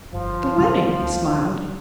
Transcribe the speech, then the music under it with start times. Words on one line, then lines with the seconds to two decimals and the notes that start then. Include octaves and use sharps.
"The wedding," he smiled.
0.13 G1 F3
0.58 G2 D3 G3
1.01 D2